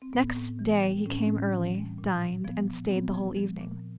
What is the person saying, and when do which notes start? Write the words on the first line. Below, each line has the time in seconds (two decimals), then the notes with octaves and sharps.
Next day he came early, dined, and stayed the whole evening.
0.02 C4
0.13 A2 B3
0.37 A2
0.59 E3
0.83 G3
1.06 A2 C#4
1.15 C4
1.24 C#4
1.29 A2
1.52 E3
1.75 G3
1.98 A#2
2.22 F3
2.44 F3 B3
2.68 A#2
2.86 C4
2.91 A#2 B3
3.14 F3
3.37 F3
3.61 A#2